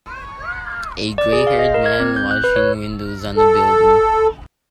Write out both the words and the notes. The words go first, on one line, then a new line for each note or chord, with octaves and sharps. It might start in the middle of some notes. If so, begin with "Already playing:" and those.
A grayhaired man washing windows on a building.
D5
G#4
F5
D#5
A#4
G#6
C4
G6
F#6
B4
C#5
A4